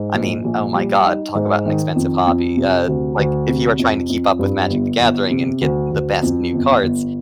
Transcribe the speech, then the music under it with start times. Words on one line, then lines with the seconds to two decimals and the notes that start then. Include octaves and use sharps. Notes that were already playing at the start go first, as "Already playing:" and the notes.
I mean, oh my god, talk about an expensive hobby. Uh, like, if you are trying to keep up with Magic: The Gathering and get the best new cards,
Already playing: G#2
0.14 A#1
0.44 A#1
0.75 G3
1.05 D#4
1.35 G#2
1.65 D#3
1.96 F2
2.27 F2
2.57 C3
2.88 D2
3.18 D2
3.48 C3
3.79 F2
4.09 F2
4.39 G2
4.70 G1
5.00 G1
5.31 C3
5.61 D2
5.92 D2
6.22 F2
6.53 G1
6.83 G1